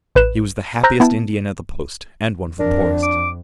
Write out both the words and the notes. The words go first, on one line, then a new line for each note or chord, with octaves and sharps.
He was the happiest Indian at the Post, and one of the poorest.
A1 B4 F#6 E7
C5 A#5 E6 F#6 G6 A#6
B3 E4 G5 A5
F2 D4 A#4
D6